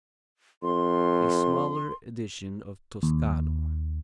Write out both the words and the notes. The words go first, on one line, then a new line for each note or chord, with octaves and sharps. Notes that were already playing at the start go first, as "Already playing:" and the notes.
A smaller edition of Toscano.
F2 C6
D#2